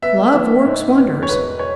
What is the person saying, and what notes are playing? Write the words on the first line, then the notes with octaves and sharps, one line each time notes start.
Love works wonders.
B3 E5
E3
G#2
B3
C#5
E1 B4
C#5